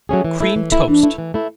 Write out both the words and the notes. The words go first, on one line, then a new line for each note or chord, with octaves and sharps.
Cream Toast.
F#3 A3 C#4 G#4
E3
A3 E4
E3
A3 E4
E3 D4
A3 E4
E3
A3 E4